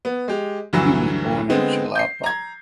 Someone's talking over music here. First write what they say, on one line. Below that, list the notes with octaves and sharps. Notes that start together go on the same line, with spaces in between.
He was born in Chilapa.
B3
G#3 G4
D2 G2 E3 F#3 E6
D3 G#3 B3 C4
G6 C7
A#5 G#6